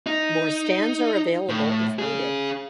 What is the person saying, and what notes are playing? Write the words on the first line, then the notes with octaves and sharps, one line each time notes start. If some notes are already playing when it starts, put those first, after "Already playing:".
More stands are available if needed.
D#4
A2
C#4 G#4